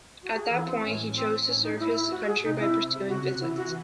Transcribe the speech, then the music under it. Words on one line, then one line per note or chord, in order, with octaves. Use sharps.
At that point he chose to serve his country by pursuing physics.
F#4
G#4
E3 A4
C4
A2 C#4
C4
A2 C#4
D#4
E4
E4
F#4
G#4
C3 D#4
E4
C#3 F#4
F#4
E3 E4
F#4